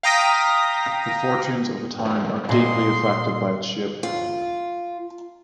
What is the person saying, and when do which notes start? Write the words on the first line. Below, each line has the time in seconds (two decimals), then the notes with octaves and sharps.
The fortunes of a town are deeply affected by its shape.
0.03 F5 G5 A#5 D#6 A#6 B6
2.49 A#2 D#5 C6
4.03 F4